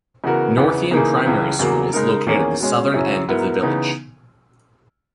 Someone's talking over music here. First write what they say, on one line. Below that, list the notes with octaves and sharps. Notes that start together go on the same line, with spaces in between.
Northiam Primary school is located at the southern end of the village.
C#3 E3 B3 F#4 A#4
E2 C#3 E3 B3
C#3 E3 A#3 D#4 G#4
C#2 C#3 E3
E2 C#3 F#3 A#3
C#3 G#3 D#4 A#4
E2 D#3 A#3 C#4 G#4
B2 G#3 C#4
F#2 C#3 F#3 C#4 E4
G#2 F#3 B3 E4 A#4
C#3 E3 B3 D#4